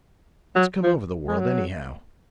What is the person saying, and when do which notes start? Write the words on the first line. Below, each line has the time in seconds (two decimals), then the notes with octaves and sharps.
What's come over the world anyhow?
0.56 F#3
0.83 F3
1.28 G#3
1.39 F#3